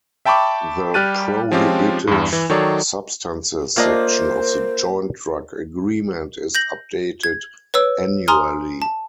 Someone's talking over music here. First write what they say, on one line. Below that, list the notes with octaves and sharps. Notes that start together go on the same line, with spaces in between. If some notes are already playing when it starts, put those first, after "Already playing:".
The prohibited substances section of the Joint Drug Agreement is updated annually.
E5 G5 A5 B5 C#6 D6
G3 G4 F6 F#6 A6 D#7
F3 G#3 C4 C#4 F4 G4
E2 G2
E3
D#3 F#3 A4 C#5 D5
A3 A#3 D4 F4 A#4 C5 D#5 F5
G6 A#6 F#7
G#6
B4 C#5 E6
G#5 A#5 C6 D#6 F6
A5